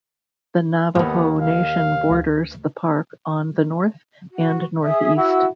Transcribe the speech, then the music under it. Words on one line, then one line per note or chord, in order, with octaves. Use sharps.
The Navajo Nation borders the park on the north and northeast.
D#2 G#2 B3
F5
D2
F#4
G#4 E5 D#6
E4 F#4 E6